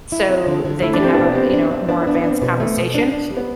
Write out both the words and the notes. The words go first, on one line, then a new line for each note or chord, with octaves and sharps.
so they can have a, you know, a more advanced conversation,
E4
C4
D3
D3
A3 E4
D4
C4 G4
B2 B3 D4
C4 G4
D4
D4
C4
B3 D4
B3
D4
C4 D4
B2 B3
A3
B2
D4
D4
G3
B3